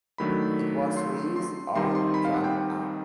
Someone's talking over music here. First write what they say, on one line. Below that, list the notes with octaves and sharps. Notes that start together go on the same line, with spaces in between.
It was released on Jump Up!
D#3 F#3 A3 D4 B5
C6
C6
D#3 G3 C4 D#4 C6
C6
B5
F5
F#5
G5